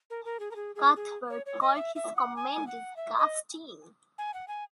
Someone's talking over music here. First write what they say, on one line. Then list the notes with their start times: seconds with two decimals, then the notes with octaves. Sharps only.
Cuthbert called his comment "disgusting".
0.10 A#4
0.25 A#4
0.39 G#4
0.51 A#4
0.55 G#4
0.75 G#4
0.96 G#4
1.30 C#5
1.46 C#5
1.61 D#5
1.75 E5
1.96 E5
2.16 F#5
2.36 G#5
2.67 F#5
2.96 E5
3.18 D#5
4.18 G#5
4.34 F#5
4.48 G#5